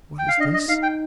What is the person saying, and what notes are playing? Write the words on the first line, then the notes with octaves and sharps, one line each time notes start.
"What is this?"
G5
F5
D4 D#5
D#5
D#4 F5
G5